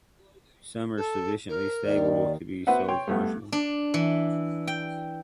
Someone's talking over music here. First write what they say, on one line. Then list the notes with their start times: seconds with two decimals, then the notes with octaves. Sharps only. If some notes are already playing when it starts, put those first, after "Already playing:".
Some are sufficiently stable to be sold commercially.
0.97 A4
1.49 A#4
1.86 D#2 D#3 D5
2.67 B3 F#4 B4 C5 E5 F#5
2.88 C#5 G5 C6
3.07 G2 A3 B3
3.52 D4
3.94 E3
4.67 G5